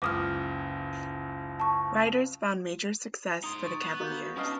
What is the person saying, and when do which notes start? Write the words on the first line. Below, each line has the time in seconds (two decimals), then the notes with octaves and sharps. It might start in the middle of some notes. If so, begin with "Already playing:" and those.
Riders, found major success for the Cavaliers.
0.02 F#1 C#2 D6 D#6 F6
1.60 A5 C#6
3.44 D#4 C6 D#6
3.64 C#6 A6
3.82 B3
4.00 A#3 F#4 G6
4.37 B3 C#4 D4 D#5 F5